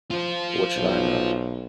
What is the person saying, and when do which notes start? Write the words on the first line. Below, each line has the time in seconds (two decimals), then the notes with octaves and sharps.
But what should I know?
0.11 F4 C5
0.77 B1